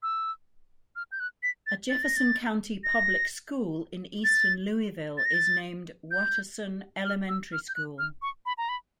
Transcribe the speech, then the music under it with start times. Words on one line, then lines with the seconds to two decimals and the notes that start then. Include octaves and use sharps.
A Jefferson County Public School in eastern Louisville is named Watterson Elementary School.
0.03 E6
0.96 F6
1.12 G6
1.20 F#6
1.43 B6
1.67 A6
1.90 A6
2.03 A#6
2.16 A6
2.84 A#6
4.24 A6
5.18 A6
5.26 A#6
5.34 A6
6.11 G6
7.05 F6
7.29 E6
7.52 F6
7.68 G6
7.75 F#6
7.99 F6
8.22 C#6
8.46 B5
8.58 A#5
8.69 B5